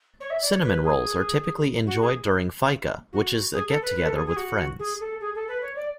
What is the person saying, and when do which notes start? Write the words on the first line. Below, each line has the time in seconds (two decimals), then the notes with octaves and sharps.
Cinnamon rolls are typically enjoyed during Fika which is a get together with friends.
0.20 C#5
0.30 E5
0.41 D5
0.51 C#5
0.62 B4
0.83 G#4
1.86 F#4
2.01 G#4
3.12 F#4
3.53 G#4
3.68 A4
3.82 B4
3.95 B4
4.05 A4
4.15 G#4
4.25 G#4
4.36 F#4
4.79 G#4
4.99 A4
5.20 G#4
5.34 A4
5.48 B4
5.61 C#5
5.75 D5